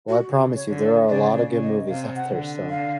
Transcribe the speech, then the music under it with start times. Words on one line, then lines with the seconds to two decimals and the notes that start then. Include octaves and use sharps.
Well, I promise you, there are a lotta good movies out there, so
0.09 F#4
0.29 C#3
0.55 C#5
0.69 D3
0.82 D5
1.09 C#3 D5
1.35 D5
1.49 C#3
1.63 D#5
1.89 C3 F5
2.16 F#5
2.30 D3
2.70 F5